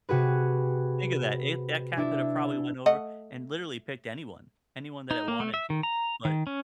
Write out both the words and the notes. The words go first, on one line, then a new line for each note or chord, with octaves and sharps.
think of that. If that cat could have probably went over and literally picked anyone. Anyone that it wanted to, but
C3 F#4 G#4 B4
D4 E4
A3 D#5 F#5
D#4
A#3
A3
E5
D#3
A#5
D#3
C#4